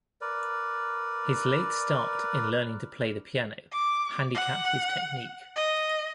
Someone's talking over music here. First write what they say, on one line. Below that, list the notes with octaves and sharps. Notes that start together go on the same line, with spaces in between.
His late start in learning to play the piano handicapped his technique.
A#4 B4 D5
D6
F#5
D#5